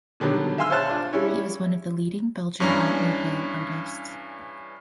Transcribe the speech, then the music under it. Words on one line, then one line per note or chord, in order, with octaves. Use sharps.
He was one of the leading Belgian Art Nouveau artists.
B2 D3 D#3 F#3 G3
E5 F5 G#5 C6 E6 F6
C5 C#5 E5 A5 F6 F#6
D4 F4
G3 C#4 E4 C#5
G2 E3 C#4 D4 A#5